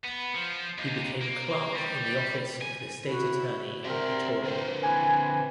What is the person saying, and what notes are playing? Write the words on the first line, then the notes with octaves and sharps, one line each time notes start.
He became clerk in the office of the State Attorney in Pretoria.
B3
F3
D#2
A#3
G3
G#5
E4 F#4
C4 G4 A#4 D5 E5
D3 B4 C5
E3 C4 G#5